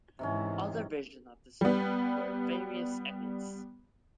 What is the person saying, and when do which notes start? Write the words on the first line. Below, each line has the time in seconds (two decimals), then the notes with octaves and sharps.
Other versions of the song were various edits.
0.19 G#2 C3 D#3 E3 C#4
1.61 G3 B3